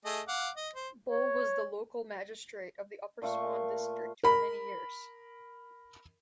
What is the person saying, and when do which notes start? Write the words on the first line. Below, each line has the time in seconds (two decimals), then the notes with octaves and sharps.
Bull was the local magistrate of the Upper Swan district for many years.
0.05 A3 G#4 D#5
0.28 F5 F#5 D6
0.56 D#5
0.75 C5
1.09 C#5
3.22 A#2 A3 F4 C#6
4.23 A#4 B5